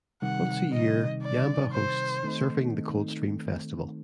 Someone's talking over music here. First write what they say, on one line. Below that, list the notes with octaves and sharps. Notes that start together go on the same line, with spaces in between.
Once a year Yamba hosts "Surfing The Coldstream Festival".
C3 D#3 G3 F#5
D#5
D5
C5
D#3 A3 C4 D#4